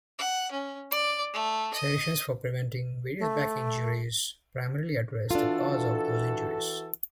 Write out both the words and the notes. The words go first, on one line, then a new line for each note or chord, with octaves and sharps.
Suggestions for preventing various back injuries primarily address the causes of those injuries.
F#5
C#4
D5
A3
D#5
A3
E3 D4 F4 F#4 A4